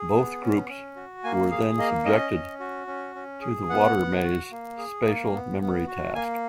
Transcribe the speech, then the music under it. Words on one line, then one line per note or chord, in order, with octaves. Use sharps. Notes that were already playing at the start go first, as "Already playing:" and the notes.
Both groups were then subjected to the water maze spatial memory task.
Already playing: G#4
B3
C#4
C#4
F#4
A#3 G#5
G#4 F5
A#3 D#5
C#4 D#5
C#4
F#4
C#4
C#4
G#4
B3 F#5
B3
F#4
A#3
G#4
A#3
B3
B3
F#4
A#3 G#5